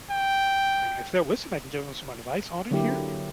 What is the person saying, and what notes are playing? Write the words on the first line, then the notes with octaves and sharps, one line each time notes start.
mean, if they'll listen, I can give them some advice on it here.
G5
D3 F#3 A#3 E4 G4